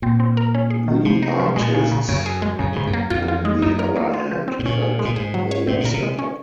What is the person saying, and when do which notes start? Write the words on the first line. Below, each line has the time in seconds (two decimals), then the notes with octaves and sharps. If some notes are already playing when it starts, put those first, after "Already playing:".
The artists on the other hand felt they were set up.
0.02 A#2 C4
0.20 C4
0.37 A#4
0.55 C#4
0.70 G#4
0.88 D#3
1.05 C3 F3
1.22 D#4
1.40 F3
1.56 A#2 G#3
1.74 C#3
1.92 C#3
2.09 F#2 C#3
2.26 G#4
2.42 G#3
2.59 F#2 C#3
2.72 G#2 C#3
2.87 F#2
2.93 A#3
3.10 F2 F4
3.28 F4
3.45 G#3
3.62 F#2 D#4
3.79 A#4
3.96 A#3
4.14 F4
4.31 F3
4.48 C4
4.59 G#2
4.65 A#2 C#4
4.82 G#4
4.99 G#3
5.05 A#2
5.16 G#2 G#4
5.34 F#3
5.51 C#5
5.67 G#2 C4
5.81 A#2 A#4
5.94 C3
6.03 G#3
6.19 C#4